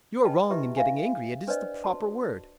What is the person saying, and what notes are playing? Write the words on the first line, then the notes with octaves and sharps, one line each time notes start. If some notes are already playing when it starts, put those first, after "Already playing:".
"You are wrong in getting angry; it is the proper word."
B4 D#5 G5 A5
E4 F#4 G4 B4 D#5 E5
E5 F5 G#5
D4 B4 C5 D5 D#5
F#4 A5